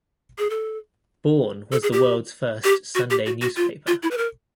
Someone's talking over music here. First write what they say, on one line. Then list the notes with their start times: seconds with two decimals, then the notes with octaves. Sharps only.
Bourne, was the world's first Sunday newspaper.
0.38 G#4
0.50 A4
1.72 A4
1.83 G#4
1.93 G4
2.64 G4
2.95 F#4
3.10 G4
3.26 F#4
3.41 F#4
3.56 F4
3.87 F4
4.03 E4
4.11 B4
4.18 A#4